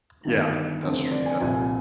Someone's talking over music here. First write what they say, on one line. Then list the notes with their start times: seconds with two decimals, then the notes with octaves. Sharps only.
Yeah. That's true. Yeah.
0.25 G1 G2 D#3
0.83 F1 F2 D3
1.11 D5
1.26 G#5
1.40 C2 A#2 F3 G#5